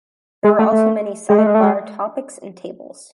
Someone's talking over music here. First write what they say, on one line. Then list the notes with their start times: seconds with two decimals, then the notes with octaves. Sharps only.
There were also many sidebar topics and tables.
0.44 G#3
0.59 A3
0.72 A3
1.30 G#3
1.38 A3
1.47 G#3
1.55 A3
1.63 G#3